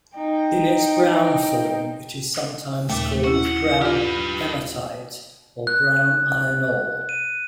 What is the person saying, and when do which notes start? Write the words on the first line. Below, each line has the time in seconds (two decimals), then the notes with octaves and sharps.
In its brown form it is sometimes called brown hematite or brown iron ore.
0.16 D#4 G5
2.90 D#2 A#2 A3 D6
3.24 C#4 E4 F#5
3.82 F4 G4 B4
5.67 F#6
7.09 D#7